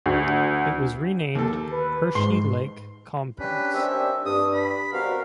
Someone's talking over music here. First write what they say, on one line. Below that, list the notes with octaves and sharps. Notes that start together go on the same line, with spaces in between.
It was renamed "Hershey Lake Compounce".
D2
D#2 A4
B4
G#2 C6
C#4 D4 G4 B4
D#3 G3 C4 E5
G2 D4 D#6
B5
B2 G3 C4 F#4 A#4 F5